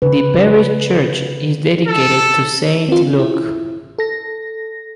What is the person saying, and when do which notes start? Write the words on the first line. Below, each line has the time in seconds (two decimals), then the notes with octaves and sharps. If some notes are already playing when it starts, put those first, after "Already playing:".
The parish church is dedicated to Saint Luke.
0.02 C#3 B4
1.88 A4
2.89 C4 F4
3.19 E4
3.99 A4 A#6